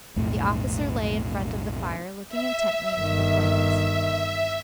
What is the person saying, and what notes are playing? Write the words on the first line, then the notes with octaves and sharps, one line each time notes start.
The officer lay in front of the fire looking intently into the flames.
B1 F2 A2 A3
E5
G1 D#3